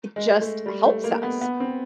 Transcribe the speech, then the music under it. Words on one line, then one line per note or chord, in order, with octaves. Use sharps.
it just helps us.
G#3
A3
G3
A3
A#3
B3
B3
C4